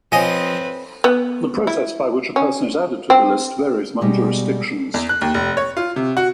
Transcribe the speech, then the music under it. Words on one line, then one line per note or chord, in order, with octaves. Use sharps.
The process by which a person is added to the list varies among jurisdictions.
F3 C4 B4 C#5 D#5 G#5
B3
E4
C#4
C4
B2 G3 G#3
E2
F#6
D#2
F1
C#5
F4
C3
F#4